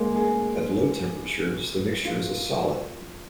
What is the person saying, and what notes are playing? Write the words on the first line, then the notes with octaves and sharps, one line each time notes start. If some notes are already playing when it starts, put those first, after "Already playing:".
At low temperatures, the mixture is a solid.
Already playing: G#3 A#3
G#4
F4